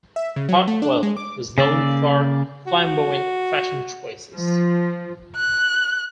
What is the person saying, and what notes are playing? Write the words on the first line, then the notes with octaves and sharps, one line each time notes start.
Hartwell was known for flamboyant fashion choices.
E5
C#3
F#3
A3
D4
G#3
D6
C#3 A#3 D5 E6
F#4
F3
F#6